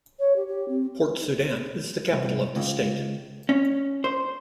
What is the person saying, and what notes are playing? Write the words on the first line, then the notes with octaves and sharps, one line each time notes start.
Port Sudan is the capital of the state.
C#5
G4
G4
C4
C2
C#2
C#4
C5